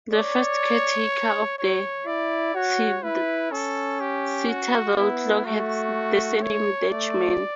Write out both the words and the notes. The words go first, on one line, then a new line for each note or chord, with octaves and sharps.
The first caretaker of the Citadel Clock had the surname Dechman.
C#5 D5
C#5
E4 D5
F#4 C#5
E4 B4
C#4 A4
G4
F#4
B3 E4
A3 F#4
C#5
A3 D5